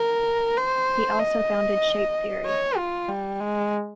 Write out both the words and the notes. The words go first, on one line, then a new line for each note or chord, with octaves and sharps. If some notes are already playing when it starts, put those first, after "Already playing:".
He also founded Shape theory.
Already playing: A#4
C5
D#5
C#5
F4
G3
G#3